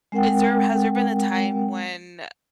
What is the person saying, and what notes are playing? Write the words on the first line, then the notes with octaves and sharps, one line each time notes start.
is there has there been a time when, uh,
G#3 C4 A#4 F#5 G5